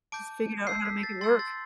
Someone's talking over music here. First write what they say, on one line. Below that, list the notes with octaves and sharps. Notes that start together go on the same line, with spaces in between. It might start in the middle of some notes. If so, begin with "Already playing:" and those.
just figure out how to make it work.
A5 D6 G6 D7
A5 E6 G6 C7
B6
A6
C6 E6 G6 A6
A6